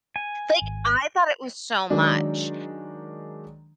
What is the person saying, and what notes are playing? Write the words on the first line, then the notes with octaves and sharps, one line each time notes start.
Like, I thought it was so much,
G#5
G#1
D#3 F#3 G#3 D4